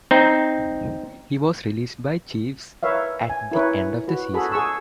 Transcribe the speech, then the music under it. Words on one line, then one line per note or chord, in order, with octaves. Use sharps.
He was released by Chiefs at the end of the season.
C4 D#4
A#4 B4 C#5 E5 F5
G#5
E4 A#4 B4 C#5
F#4 B4
F#4 G#4 A4 B5
G#4 C#6 E6